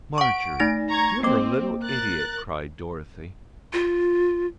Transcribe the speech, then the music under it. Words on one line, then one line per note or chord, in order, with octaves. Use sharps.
"Marjorie, you're a little idiot," cried Dorothy.
F#5 C#6 D7
A3 D#4 A#6
A#5 C#6 G#6
A#3 C4 D6
A#4 F#6 A6
F4